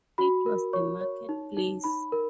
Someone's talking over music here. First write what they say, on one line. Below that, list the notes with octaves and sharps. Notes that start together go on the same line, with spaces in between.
It was a market place.
F#4 B5
A#4
C#5 C#6
C#5
D#4
D#4
D#4 B5
A#4